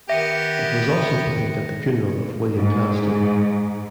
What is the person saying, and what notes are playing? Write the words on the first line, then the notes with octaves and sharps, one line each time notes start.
It was also played at the funeral of William Gladstone.
D#3 B3 G4 E5 A#6 C#7
G#2